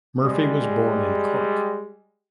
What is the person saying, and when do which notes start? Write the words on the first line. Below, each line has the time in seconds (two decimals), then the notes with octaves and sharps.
Murphy was born in Cork.
0.23 G3 G#3